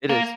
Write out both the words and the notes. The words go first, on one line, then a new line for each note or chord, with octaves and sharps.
It is.
A#3